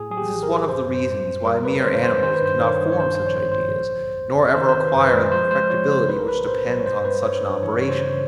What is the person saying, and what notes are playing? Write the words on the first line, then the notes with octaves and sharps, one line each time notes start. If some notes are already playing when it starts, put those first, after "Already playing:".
This is one of the reasons, why mere animals cannot form such ideas, nor ever acquire the perfectibility which depends on such an operation.
Already playing: A2 G#4
F#3 G#4
G4
A1
A#4
A2
F#2 C5
F#2
C5
G3
F#2
G3 A#4
F2 B4
C#5
D3 C5
F2 C5
D#3 C5
B4
G2 C5
D#3 C#5
G2
C#5
A#1 C5
A#1 C5
C#5
G#2
C5
A#1
G1
G1
F2
F2
C#5
D#3 C5
C5
G#1
B4
F#2
C5
B4
G#3
F3 C5
G#3 C5
F3 C#5
C#3 C5
B1 B4
A#4
B1 B4
A2 C5
F#3
C#5
G2 C5
G3 B4
G2 C#5
G2
E3 C#5
C#3 C#5
C5
C#3